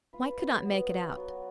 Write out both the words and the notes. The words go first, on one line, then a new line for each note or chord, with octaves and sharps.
Mike could not make it out.
F4 B4
F#3
B3
F4
F#3